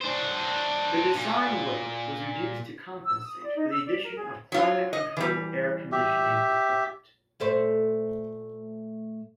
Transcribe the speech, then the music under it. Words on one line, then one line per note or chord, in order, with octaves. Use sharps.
The design weight was reduced to compensate for the addition of climate-control air-conditioning equipment.
D4 C5
A#2
E6
D#6
D5
D#4
E6
D5
A#4
G#4
F#3 F4
D#5
E3 G3
G4 E5
A#2 A3 C5